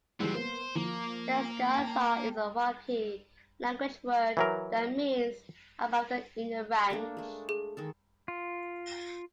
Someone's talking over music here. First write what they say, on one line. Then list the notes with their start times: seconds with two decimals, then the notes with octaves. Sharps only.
Destghil sar is a Wakhi language word, that means above the inner ranch.
0.20 F3 G3 G#3 B3 C4
0.35 A#3 B3 C5
0.75 F3 A#3
1.75 G5 A5
4.37 E3 F#3 A#4
6.90 A3 A#3 D4
7.17 G#3 A3
7.49 G#4
7.77 D#3 G#3 A4
8.28 F4